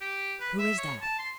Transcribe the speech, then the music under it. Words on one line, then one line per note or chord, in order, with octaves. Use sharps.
"Who is that?"
G4
B4
E5
C#5
A5
C6